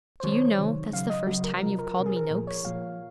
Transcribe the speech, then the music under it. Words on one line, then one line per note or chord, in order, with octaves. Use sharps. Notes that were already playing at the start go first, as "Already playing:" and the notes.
'Do you know, that's the first time you've called me "Noakes"?'
C5
C3 D#3 F#3 C#5
C3 D#3 F#3
C#3 F#3 F5
D#5
C#3 F#3 F#4
A#4
C3 F3 A#4
A#4
C3 F3 A#4
G#4
A#4
A#2 F3
C#5
A#2 F3 F5